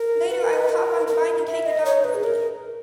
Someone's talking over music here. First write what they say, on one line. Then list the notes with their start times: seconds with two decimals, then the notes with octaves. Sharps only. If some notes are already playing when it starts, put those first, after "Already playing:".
Later I will hop on the bike and take the dog with me.
Already playing: A#4
0.30 B4
0.41 A#4
0.53 B4
0.69 A#4
1.08 A#4
1.47 E5
1.66 D#5
1.85 C#5
2.04 B4
2.14 G#4
2.24 A#4